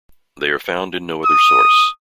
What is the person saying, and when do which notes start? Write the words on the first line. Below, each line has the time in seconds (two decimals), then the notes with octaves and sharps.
They are found in no other source.
1.26 D#6